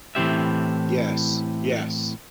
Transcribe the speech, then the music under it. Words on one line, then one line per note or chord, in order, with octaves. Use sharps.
Yes, yes,
A2 E3 F3 C4 G4 E5